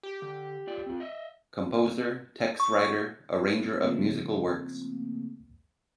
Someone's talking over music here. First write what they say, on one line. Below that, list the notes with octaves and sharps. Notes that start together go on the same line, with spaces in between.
Composer, text writer, arranger of musical works.
G4
D3
F4 D5 G5
C4 F4
D#5 E5
C#6
C#3 F3 A3 A#3 C4